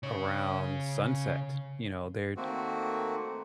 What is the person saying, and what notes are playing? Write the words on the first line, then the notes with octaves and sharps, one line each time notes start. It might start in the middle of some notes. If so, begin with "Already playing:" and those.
around sunset, you know, they're,
C#3 C#5
D#3 A3 A#3 C4 F#4